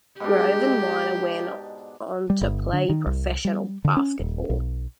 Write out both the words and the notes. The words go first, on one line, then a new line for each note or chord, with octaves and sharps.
Grove and Minor went on to play professional basketball.
G#2 B2 D4 G4
G3
G1
D3
D#3
C2
G3
D3
C#4
D#1
B1